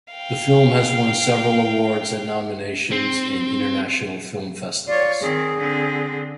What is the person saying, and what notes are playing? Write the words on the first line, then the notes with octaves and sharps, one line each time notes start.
The film has won several awards and nominations in International film festivals.
F5 G5
C4
F4 C#5 D5
D#3 C4 G#4
D3 C4